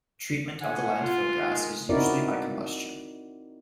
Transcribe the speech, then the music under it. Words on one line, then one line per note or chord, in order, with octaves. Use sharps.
Treatment of the landfill gas is usually by combustion.
A2 F#5 G#5
F4
D#3 G#3
C4 D#4 E4 F#4 A#4 D5